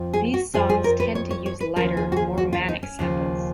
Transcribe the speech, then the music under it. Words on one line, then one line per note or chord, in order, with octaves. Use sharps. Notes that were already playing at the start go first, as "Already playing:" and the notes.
These songs tend to use lighter, more manic samples.
Already playing: F2 F3
G#4
F#4
F2 F3 G#4
G#4
A#4
B4
C#5
C#5
C#5
B4
D#2 C#3 F3 A#4
G#4
F#4
G#4
F#4
F4
D#4
C#4
D#2 C#3 F3